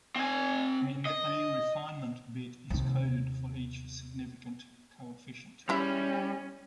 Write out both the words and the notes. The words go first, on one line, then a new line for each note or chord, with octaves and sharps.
And A refinement bit is coded for each significant coefficient.
C4 G#5
D#5
D#2 C3
G3 G#3 C#4 E4 E5